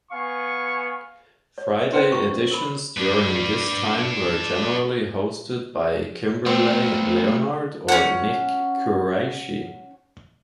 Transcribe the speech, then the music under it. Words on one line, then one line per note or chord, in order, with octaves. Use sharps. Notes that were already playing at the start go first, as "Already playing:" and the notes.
Friday editions during this time were generally hosted by Kimberley Leonard or Nick Quraishi.
B3 F5 G#5 C#6
C#5
C#4 E4 B4 C5 G5 C6
A#5 C#6
A#4 B5
D4 B4
A3 B3 C4
C#4 F#5